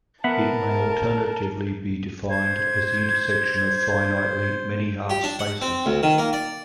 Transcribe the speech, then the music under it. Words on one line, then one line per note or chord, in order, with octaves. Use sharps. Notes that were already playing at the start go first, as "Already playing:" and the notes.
It may alternatively be defined as the intersection of finitely many half-spaces.
B3 A#4 E5 F#5 A5
C5 G#6
G4
D4
F#5
C4
D2
D#3
A#3
D5